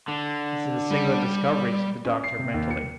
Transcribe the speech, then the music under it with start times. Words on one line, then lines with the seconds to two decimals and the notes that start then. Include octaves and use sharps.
"This is a singular discovery!" said the doctor, mentally.
0.08 D3
0.91 G3
2.05 C#4
2.24 C7
2.39 C3
2.54 D#2
2.70 C#7